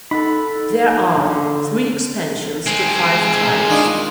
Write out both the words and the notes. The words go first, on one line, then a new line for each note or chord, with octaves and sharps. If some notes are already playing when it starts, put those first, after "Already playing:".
There are three expansions to Five Tribes.
D#4 A4 F#5 B5
D3
G#3 C4
D#3 D4 F4